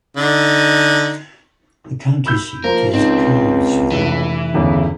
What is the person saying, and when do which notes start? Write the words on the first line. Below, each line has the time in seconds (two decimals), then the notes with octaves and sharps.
The county seat is Carnesville.
0.17 D3 D#4
2.26 B5 E6 G6
2.64 F3 A#3 A#4
2.93 C#2 C4 D#4
3.92 F1 E3
4.54 G1 E2 C#3